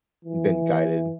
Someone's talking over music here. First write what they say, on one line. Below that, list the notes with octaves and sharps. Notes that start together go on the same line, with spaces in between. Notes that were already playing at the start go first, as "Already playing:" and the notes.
been guided.
E3